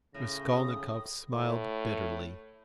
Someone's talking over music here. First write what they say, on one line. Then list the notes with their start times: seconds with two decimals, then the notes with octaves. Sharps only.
Raskolnikov smiled bitterly.
0.14 A2 C#3 A#6
0.49 D#6
1.32 A2